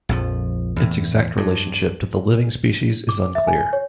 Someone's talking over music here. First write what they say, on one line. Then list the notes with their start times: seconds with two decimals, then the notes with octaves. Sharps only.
Its exact relationship to the living species is unclear.
0.09 A#1 F2 F3
0.76 E2 A2
1.37 G2
3.09 D6
3.35 E5
3.47 G#5
3.73 C#5